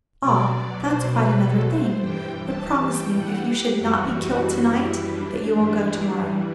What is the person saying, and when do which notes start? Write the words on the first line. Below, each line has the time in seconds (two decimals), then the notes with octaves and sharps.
"Ah, that's quite another thing; but promise me, if you should not be killed tonight, that you will go tomorrow."
0.21 B2 F#3 D5
0.51 D5
0.80 C5
1.11 B4
1.40 A4
1.70 C5
2.00 G2 E3 G3 G5
2.44 A5
2.88 G5
3.18 F#5
3.48 G4
3.77 F#2 E3 G3 F#4
4.22 F#4
4.66 E4
5.10 D4
5.55 G2 E3 G3